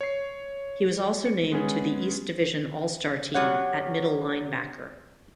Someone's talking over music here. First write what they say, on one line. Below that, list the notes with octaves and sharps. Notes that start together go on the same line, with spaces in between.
He was also named to the East Division All-Star team at middle linebacker.
C#5 C7
C#7
G#3 B3 C#4 G#4
F#3 G3 C#5 F#5